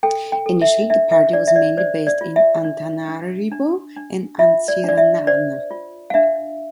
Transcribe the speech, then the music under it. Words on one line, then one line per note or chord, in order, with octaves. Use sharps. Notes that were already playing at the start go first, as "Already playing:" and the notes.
Initially the party was mainly based in Antananarivo and Antsiranana.
A4 G5
G5
A4
E5
D4 E5
E5
D4 D5
E5
D5
C5 D5
D5
F4
E5
D4
D4
D4
D4
F4 E5
D5
D4 D5
E5
C5 D5
F4
F5
D4 E5